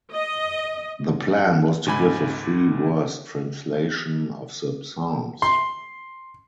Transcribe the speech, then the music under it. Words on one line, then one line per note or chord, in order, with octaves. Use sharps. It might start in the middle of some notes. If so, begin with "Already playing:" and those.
The plan was to give a free verse translation of the Psalms.
D#5
D2 G#2 G#5 B5
C6